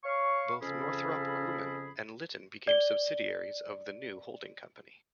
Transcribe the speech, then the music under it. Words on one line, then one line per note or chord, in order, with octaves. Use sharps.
Both Northrop Grumman and Litton became subsidiaries of the new holding company.
C#5 F5 C#6
F2 C#3 C#4 G#4 A4 B5
D5 G7